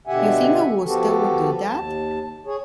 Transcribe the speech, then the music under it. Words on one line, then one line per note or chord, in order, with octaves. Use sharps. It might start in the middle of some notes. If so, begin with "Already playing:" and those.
You think a Wooster would do that?
B2 D3 G4 E5 F#5 G#5
F3 B3 F#4 G4 A4
D#2 A5
G#4 C#5